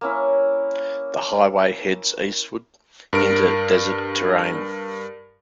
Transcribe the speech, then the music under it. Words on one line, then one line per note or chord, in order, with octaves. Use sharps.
The highway heads eastward into desert terrain.
A#3 C#4 E4
G2 A#4 D7